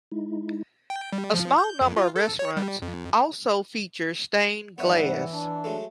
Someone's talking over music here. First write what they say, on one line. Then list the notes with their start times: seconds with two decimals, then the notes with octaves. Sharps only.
A small number of restaurants also feature stained glass.
0.12 G#3 D#4 E4
0.90 G5
1.12 G3
1.34 F3
1.58 G6
1.81 F2
1.96 F4
2.16 A4
2.39 C#5
2.57 G3
2.82 F2
4.78 G#2 E3 G3 B3 C#5 E5 F#5
5.32 D4
5.64 F#3 G#3 A3